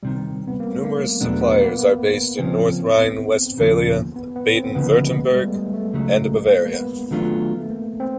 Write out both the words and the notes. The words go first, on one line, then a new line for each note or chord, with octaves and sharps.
Numerous suppliers are based in North Rhine-Westphalia, Baden-Württemberg and Bavaria.
C2 C3 D#3 G3
C4
B3
A#3
A3
A#3
E2 B2 F#3 A3 B3 D4
B3
A#3
B3
C#3 F3 A#3 C4 C#4
B3
D#2 C#3 F3 A#3
B3
B3
C4
D2 C#3 F3 A#3 B3
G#3
G3
A3
G#3
A3
C#2 C#3 F#3 G#3 A3
A#3
B3
A#3
B3
D#3 F#3 A3 B3 D4 F4
A3
A#3
C4